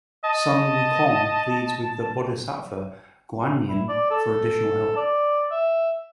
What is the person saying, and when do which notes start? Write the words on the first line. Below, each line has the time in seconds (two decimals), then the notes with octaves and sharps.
Sun Wukong pleads with the bodhisattva Guanyin for additional help.
0.24 D#5 A5
3.68 E4
3.88 D5
4.11 A4
4.97 D5
5.51 E5